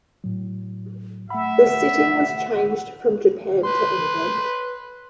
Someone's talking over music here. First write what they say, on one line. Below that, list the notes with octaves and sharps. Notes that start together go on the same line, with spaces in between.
The setting was changed from Japan to England.
A2 F#3
A3 E5 F#5 B5
B4 C6